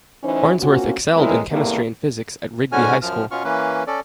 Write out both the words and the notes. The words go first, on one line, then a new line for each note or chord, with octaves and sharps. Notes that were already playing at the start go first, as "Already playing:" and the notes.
Farnsworth excelled in chemistry and physics at Rigby High School.
D2 E3 C#4 D#4 B4 C5
A#3 C4 C#4 F4 F#4
E3 G#3 C4 E4 A#4 C#5
E2 A2 C3 G3 A#3
G#2 D3 C#4 F#4 G#5 F6
F#2 F3 F6
B2 B3 C#4 F4 C#6 F6
E3 A#3 C#4 B4
C#4 A4 D5